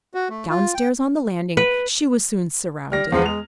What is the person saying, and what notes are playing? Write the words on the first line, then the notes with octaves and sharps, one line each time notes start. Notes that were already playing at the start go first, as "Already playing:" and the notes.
Downstairs on the landing she was soon surrounded.
F#4
A3
F4
G5
B4
G3 F6 A#6
E2 F3 G#3 B3
G#3 F7